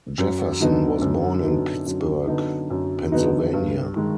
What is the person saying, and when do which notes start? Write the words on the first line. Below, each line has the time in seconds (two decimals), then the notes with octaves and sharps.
Jefferson was born in Pittsburgh, Pennsylvania.
0.18 F#2
0.60 D3 F#3 B3 D#4
1.01 F#2
1.44 D3 F#3 B3 D#4
1.86 F#2
2.28 D3 F#3 B3 D#4
2.70 F#2
3.12 D3 F#3 B3 D#4
3.53 G2
3.96 D#3 G#3